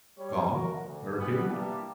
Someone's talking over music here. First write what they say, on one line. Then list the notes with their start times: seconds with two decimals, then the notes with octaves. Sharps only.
"Gone?" I repeated.
0.17 G3 C#5
0.51 F#4 A#4
0.81 D2
1.18 E3 G3 A3 B3
1.48 E3 G3 A#3 D4 E4 G4